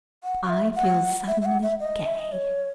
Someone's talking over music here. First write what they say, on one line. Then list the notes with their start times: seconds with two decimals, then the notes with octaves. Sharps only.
I feel suddenly gay.
0.24 F#5
0.45 F#5
0.50 E5
0.76 F#5
1.27 E5
1.41 E5
1.45 F#5
1.63 E5
1.80 D#5
2.06 E5
2.18 D#5
2.32 C#5